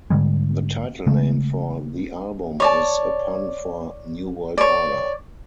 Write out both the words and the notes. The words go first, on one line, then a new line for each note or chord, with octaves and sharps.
The title name for the album is a pun for "New World Order".
G#2 D3 G3 G#3
C#3 G#3 A3
C#5 D5 A5
C#5 D5